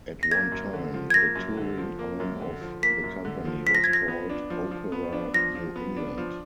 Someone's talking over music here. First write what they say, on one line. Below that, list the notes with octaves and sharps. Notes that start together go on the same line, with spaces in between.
At one time, the touring arm of the company was called Opera New England.
A#6
A#3 G#6
F#2
D3
F3
G#6
A#3 A#6
F#2
D3
F3
A#3
F#2
D3
F3
A#3 B6
F#2
D3
F3
F3 B6
A#6
F3 G#6
A#6
B3
D4
F3
F3
B3
D4
F3 A#6
F3
B3
D4
F3